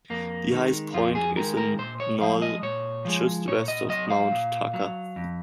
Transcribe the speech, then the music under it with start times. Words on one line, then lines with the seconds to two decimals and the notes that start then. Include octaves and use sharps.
The highest point is a knoll just west of Mount Tucker.
0.10 F2 A#3
0.52 D#3 G#3
0.94 F2 F4
1.15 G#4
1.36 D#3 G#3 A#4
1.57 A#4
1.79 A#2 C5
2.00 C#5
2.21 F3 G#3 F5
2.42 D#5
2.62 A#2 C#5
3.05 F3 G#3
3.47 A#2 C#5
3.68 D#5
3.89 F#3 D#5
4.10 F5
4.32 A#2
4.74 F#3
5.16 F2